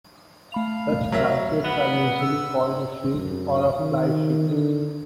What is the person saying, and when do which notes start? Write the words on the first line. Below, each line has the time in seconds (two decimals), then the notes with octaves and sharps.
Such blankets are usually called a "sheet" or a "fly sheet".
0.52 A3 F5 B5 F7
1.12 F#3 A#4 E5
1.65 B3 B4 F#5
2.20 E6
3.17 F#2
3.79 D#3
4.50 D3